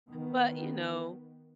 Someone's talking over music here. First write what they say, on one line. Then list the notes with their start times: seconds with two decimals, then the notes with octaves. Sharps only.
but you know,
0.10 D#3 B3